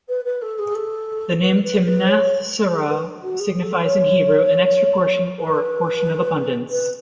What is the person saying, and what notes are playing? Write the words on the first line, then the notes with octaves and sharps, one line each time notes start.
The name "Timnath-serah" signifies in Hebrew an "extra portion" or "portion of abundance".
B4
B4
A4
G#4
A4
B4
B4
B4
C#5
G#4
A4
B4
F#4
G#4
A4
C#5
B4
B4